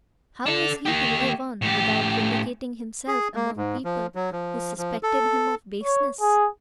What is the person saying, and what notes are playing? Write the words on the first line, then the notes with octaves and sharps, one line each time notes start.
How was he to live on without vindicating himself among people who suspected him of baseness?
D4 A4
A#3 G4
A2 G4
G#4
A#3
G#2
F3
F#3
F3
F3
A4
C#5
G#4